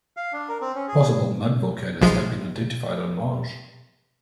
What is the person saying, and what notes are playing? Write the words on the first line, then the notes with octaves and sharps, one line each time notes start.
Possible mud volcanoes have been identified on Mars.
F5
D4
A#4
C4
C#4
G#4
B1 F3 G#3